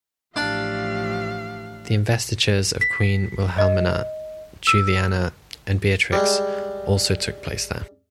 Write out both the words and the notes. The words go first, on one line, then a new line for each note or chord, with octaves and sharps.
The investitures of Queen Wilhelmina, Juliana and Beatrix also took place there.
A1 F3 A3 D4 G4 F5 A5
B6
D#5
E6
G3 G#3